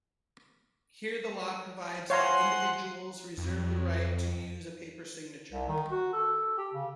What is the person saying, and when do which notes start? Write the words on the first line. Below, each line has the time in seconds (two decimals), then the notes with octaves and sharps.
Here the law provides that individuals reserve the right to use a paper signature.
2.10 F3 C#5 F5 F#5 G#5 A#5 C6
3.37 F2
5.52 C2
5.68 D#3
5.91 F#4
6.13 A4
6.57 G4
6.74 C#3